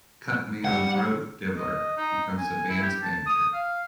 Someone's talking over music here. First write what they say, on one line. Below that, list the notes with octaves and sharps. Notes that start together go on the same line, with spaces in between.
Cut-Me-Own-Throat Dibbler becomes the Band's manager.
G3 F#5
D#5
D#4
G#5
E4
G4
A5
D#6
F5